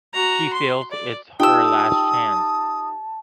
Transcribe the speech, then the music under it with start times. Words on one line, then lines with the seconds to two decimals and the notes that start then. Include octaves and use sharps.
She feels it's her last chance.
0.14 F#4 A#5
0.54 C6
0.92 D5
1.40 D#4 F4 G4 G5 A5 D#6 E6